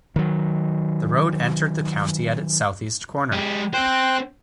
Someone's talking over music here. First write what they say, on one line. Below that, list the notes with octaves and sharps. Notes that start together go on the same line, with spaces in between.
The road entered the county at its southeast corner.
D#3 F#3
G#3 G4
C4 C5 G5 C6 F#6